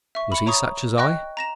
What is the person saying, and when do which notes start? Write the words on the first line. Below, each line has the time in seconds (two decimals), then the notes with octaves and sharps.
Was he such as I?
0.15 E5 C#6
0.32 B5 C#7
0.46 C#5 A#5 C#6 D#6
0.98 D#5 G5 C#6 F#6 A#6
1.37 A#5 A#6 E7